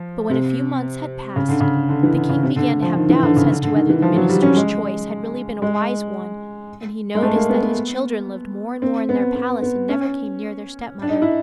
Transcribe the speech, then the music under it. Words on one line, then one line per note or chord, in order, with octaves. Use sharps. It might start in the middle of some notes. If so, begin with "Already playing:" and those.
But when a few months had passed the king began to have doubts as to whether the minister's choice had really been a wise one, and he noticed that his children lived more and more in their palace and never came near their stepmother.
Already playing: F3
C3
C#3
D3
C#3
D3
E3
D3
C#3
C3
D3
F3
D#3
E3
D3
C#3
D3
D3
D#3
E3
F3
F#3
G3
C#4
G#3
G#3
G#3
A3
A#3
B3
B3
C4
B3
B3
B3
C#4
D4
D#4
E4